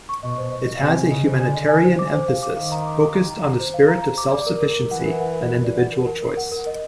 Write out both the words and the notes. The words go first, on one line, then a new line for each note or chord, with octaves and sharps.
It has a humanitarian emphasis focused on the "spirit of self-sufficiency and individual choice".
C#6
B2 D#5
C5
D#5
D#5
C3 G#5
G#5
C#3 D#5
C5
D3 G#5
D#5
G#5
C5
D6
C5
F5
D6
D#3 F5
A#5
D6
D6
A#5
A#5
A#5
C5
F5
A#5
A#5
D6
D5
A#4
A#4
A#4
E3 F#5
A#4
F#5
A#4
A#4
D5
F#5
A#4
A#4
A#4
F#5
A#4
D#5